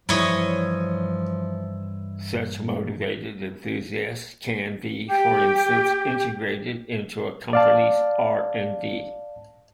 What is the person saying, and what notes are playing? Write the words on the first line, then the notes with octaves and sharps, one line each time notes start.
Such motivated enthusiasts, can be for instance integrated into a company's R and D.
G2 E3 F3 E4 C#5 D#5
G4
D5 F5 A5